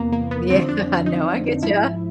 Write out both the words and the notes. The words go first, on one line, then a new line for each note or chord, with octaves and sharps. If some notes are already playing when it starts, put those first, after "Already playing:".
Yeah, no, I get ya,
Already playing: E2 C3 E3 A#3 B3
A#3
B3
F2 D3 F3 C4
D4
D#4
G#2 F3 E4